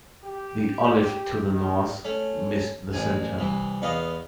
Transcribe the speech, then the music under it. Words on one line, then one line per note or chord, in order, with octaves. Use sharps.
The" Olive" to the north missed the centre.
G4
D#3
A3 C#4
A1 G#5
C2 E3
E2 B3 D#5 F5